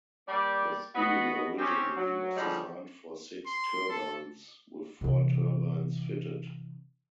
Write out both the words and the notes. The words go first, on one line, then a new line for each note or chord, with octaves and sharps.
The scheme originally was designed for six turbines, with four turbines fitted.
G3 A#3 G4 D5
B3 F#4 D#5
C4 C#4 D#4 G4
F#3
D3 F3 G3 G#3 C#4 D#4
C6
A4
C3 E3